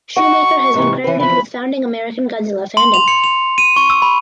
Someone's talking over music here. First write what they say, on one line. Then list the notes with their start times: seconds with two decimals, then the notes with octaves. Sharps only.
Shoemaker has been credited with founding American Godzilla fandom.
0.16 F#4 D#5 F#5 C#6
0.73 G#2 C3 E3
1.04 E3 B4
1.20 E3 F3 B5
2.77 C6
2.94 F7
3.08 C#7
3.24 F7
3.58 D#7
3.76 C#6
3.90 E6
4.02 B5